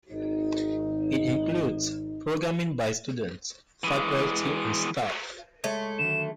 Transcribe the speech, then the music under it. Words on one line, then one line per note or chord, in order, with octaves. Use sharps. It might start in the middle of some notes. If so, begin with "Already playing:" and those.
It includes programming by students, faculty and staff.
G#1 D#4
E3 G#3
G#3 A3 C#5
D3 D#3 F#3 E7